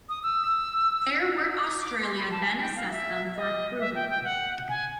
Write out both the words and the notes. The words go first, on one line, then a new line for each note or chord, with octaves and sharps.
Fair Work Australia then assess them for approval.
D#6
E6
D#6
D6
C6
B5
A5
G#5
G5
F5
E5
D#5
E5
G5
G5
F#5
G#5